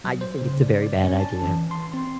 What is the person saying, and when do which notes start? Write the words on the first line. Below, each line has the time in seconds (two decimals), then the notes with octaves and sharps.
I just think it's a very bad idea.
0.04 F#3
0.21 C5
0.42 C#3
0.63 D5
0.82 D5
1.04 C#4
1.20 A5
1.43 E3
1.71 C6
1.94 C4